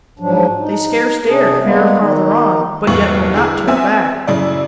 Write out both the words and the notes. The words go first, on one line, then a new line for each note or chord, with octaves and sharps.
They scarce dared fare farther on, but yet would not turn back.
G#2 F3 F#3 D4
D#4
C3 D4 G#4
G3 G#3 A#3 B3
D#3 D#4
F1 E2 G2 A#3 C#6 F#7
D3 E4 G#4
B3 C4 E5 G#5 E6
F#2 C#3 E4 D5